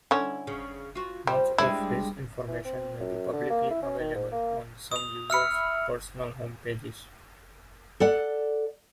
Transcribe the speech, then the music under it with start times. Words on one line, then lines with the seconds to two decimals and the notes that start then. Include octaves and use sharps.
Much of this information may be publicly available on some users' personal home pages.
0.11 D3 C#4 E4
0.47 C#3
0.95 F4 F#4
1.27 G3 C5
1.58 G3 G#3 D4 E4
2.48 E3
2.65 C4
3.00 F#2
3.33 D3
3.50 A#3
3.71 E4
3.82 C#4
4.00 D#3
4.15 G#2
4.32 A#3
4.92 D#6 F7
5.30 E5 B5 E6 F6 C#7
8.00 A4 D5 F#5